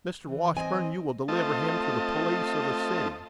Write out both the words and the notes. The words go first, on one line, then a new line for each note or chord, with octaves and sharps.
"Mr. Washburn, you will deliver him to the police of the city."
E3
C4 D#5 G#5
A3 C4 F4 D#5 A5